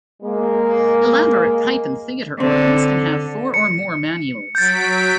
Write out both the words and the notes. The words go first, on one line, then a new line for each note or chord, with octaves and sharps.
Elaborate pipe and theater organs can have four or more manuals.
G#3 A#3
D3 C4
C#7
F#3 G6 A6 B6 D7